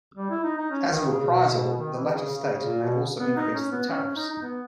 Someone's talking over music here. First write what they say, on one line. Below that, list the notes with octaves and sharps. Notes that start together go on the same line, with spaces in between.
As a reprisal, the latter state may also increase the tariffs.
G3
E4
D#4
D#4
C#4
D#3
C#3
B2
D#3
E3
C#3
C#3
C#3
A#2
B2
B3
D#4
C#4
B3
C#4
C#4
D#4
D#4
B3